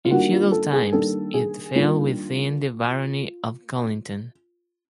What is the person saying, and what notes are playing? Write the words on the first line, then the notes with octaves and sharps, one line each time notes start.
In feudal times, it fell within the barony of Colinton.
F4
D#3 G3 A#3 D4 F#4
F4
A4
G#4
D#3 G3 A#3 D4 A4
G#4
D#3 G3 A#3 D4 F4